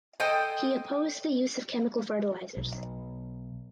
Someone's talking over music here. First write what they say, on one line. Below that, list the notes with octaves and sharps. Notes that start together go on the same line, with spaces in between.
He opposed the use of chemical fertilizers.
A4 C5 D#5 G5 G#5
B1